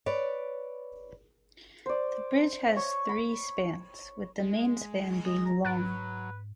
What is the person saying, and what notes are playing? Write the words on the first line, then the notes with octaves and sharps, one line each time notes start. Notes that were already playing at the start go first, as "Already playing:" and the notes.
The bridge has three spans, with the main span being long.
B4 C#5 D5
C5 D5
C#5
B5
G#3
D#5
A#5
G#2 F#3 B4 F#6 A6 D7